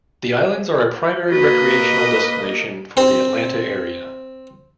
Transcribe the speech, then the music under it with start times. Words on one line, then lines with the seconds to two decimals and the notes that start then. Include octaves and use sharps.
The islands are a primary recreational destination for the Atlanta area.
1.32 A#3 F#4 B4 D#5
2.97 C4 C5